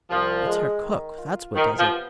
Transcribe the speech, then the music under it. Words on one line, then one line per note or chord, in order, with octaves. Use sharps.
It's her cook, that's what does it.
C2 F3
G#3
D#3
F4
C3 D#3
F3
B3